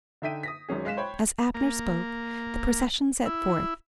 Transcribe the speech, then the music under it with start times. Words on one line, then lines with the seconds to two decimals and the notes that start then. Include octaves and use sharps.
As Abner spoke, the procession set forth.
0.22 D3 D#4 E5 G5 B6 D#7
0.43 D#6 A#6 B6
0.69 G#1 F#3 C#4 G#4
0.85 G#3 F5 F#6 B6 E7
0.97 C5 C#5 G5 B5
1.54 A#3
3.26 E4